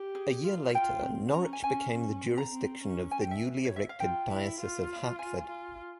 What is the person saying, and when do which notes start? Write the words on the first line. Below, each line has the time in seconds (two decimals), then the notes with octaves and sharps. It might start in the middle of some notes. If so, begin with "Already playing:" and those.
A year later, Norwich became the jurisdiction of the newly erected Diocese of Hartford.
Already playing: G4
0.15 G#4
0.44 F4
0.74 F4 G5
1.04 C4
1.34 C#4 A#5
1.53 G#5
1.63 C#4 G#5
1.93 C#4
2.23 C4
2.38 A#5
2.53 C4
2.82 C#4
3.11 G#5
3.21 G5
3.31 E5
3.65 C#5
3.76 E5
3.89 F5
4.00 F4 G5
4.30 E4
4.60 F4
5.19 G#5
5.48 F4